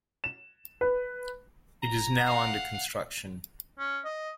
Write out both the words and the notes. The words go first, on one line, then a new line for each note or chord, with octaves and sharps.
It is now under construction.
E7
B4
A#5
F5 F#5
C#4
D#5